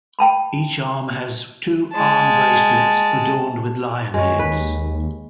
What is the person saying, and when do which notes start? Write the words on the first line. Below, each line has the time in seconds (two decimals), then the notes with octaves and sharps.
Each arm has two arm bracelets adorned with lion heads.
0.19 G5 A5 B5
1.93 G#3 A5
4.14 F#2 G#3 C#5
4.39 D#2 B4